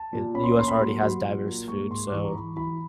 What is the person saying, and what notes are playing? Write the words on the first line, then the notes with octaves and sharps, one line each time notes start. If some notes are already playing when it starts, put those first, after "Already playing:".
eh, the US already has diverse food, so,
Already playing: A5
A#2
C#4 B5
C6
B5
A#3 C6
B5
F#3 C6
F#3
A#2
A#3
G#3 C#6
G#2 C6
D6
E3 C#6
A#5
E3 B5
E3 B5